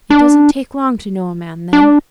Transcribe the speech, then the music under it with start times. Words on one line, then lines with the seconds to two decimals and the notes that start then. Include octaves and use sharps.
It doesn't take long to know a man then.
0.10 D4
1.73 D4